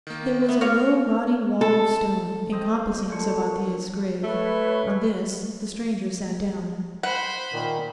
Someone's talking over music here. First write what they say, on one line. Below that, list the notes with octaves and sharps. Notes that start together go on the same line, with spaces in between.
There was a low rotting wall of stone encompassing Sabathier's grave; on this the stranger sat down.
D#3 A#3
B3 E5
C#3 F#4 C#5 F5 D6 F6
A4 A5
C4 C5 D#5
A#2 D3 C#6
A3 B4 C#5
C5 F#5 B5
A#2 D#3